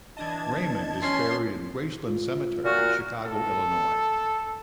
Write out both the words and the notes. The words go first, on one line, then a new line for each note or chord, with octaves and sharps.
Raymond is buried in Graceland Cemetery, Chicago, Illinois.
E3 D4 D#5 A5 G#6
C#4 C6
F4
A#2 F#4 F6
A4